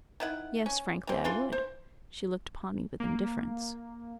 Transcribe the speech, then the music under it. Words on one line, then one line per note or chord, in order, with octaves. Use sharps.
Yes, frankly, I would. She looked upon me with indifference.
D#3 E4 F#5
C#4
E3 C4
E3 D4 F4 C6
C5
A#3